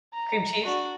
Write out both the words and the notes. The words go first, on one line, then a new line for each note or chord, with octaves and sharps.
Cream cheese?
A#5
D4 F#4